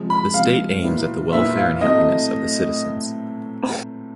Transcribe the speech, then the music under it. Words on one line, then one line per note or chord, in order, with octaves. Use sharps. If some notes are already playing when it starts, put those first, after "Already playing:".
The state aims at the welfare and happiness of the citizens.
Already playing: C3 F3 G#3
B5
C3 F3 G#3 F5
A#2 F#3 B3 E4
A#2 F#3 B3 E4 E5
F5
A2 F#3 A3 C4 E4 D#5